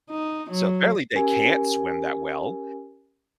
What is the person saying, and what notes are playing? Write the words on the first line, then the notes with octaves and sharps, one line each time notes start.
So apparently, they can't swim that well,
D#4
F#3
C#4 G4 A#4 G#5